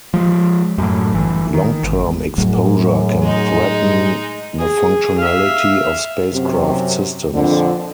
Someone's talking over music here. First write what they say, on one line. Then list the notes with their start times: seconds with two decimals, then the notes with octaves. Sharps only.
Long term exposure can threaten the functionality of spacecraft systems.
0.14 F3 G#3
0.78 F#2 A2
1.13 G1 E3
1.54 D#3
1.83 G#1
2.38 F#2 A2 F#3 G#4
3.23 G#3 D#4
4.59 G#4
5.18 E5 F5
6.32 F#2 C3
7.33 F2 A#2 D3